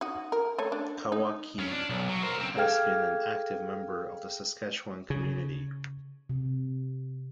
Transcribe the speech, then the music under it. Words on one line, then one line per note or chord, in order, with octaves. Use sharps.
Karwacki has been an active member of the Saskatchewan community.
D#4 F#4
A#4
A3 C#5
D4
D#4
F2 C#4
D4
B1
F#3
A#4 C5
C#2 C4
G#4 A4 F5 G5 F6 G#6
C#3
C3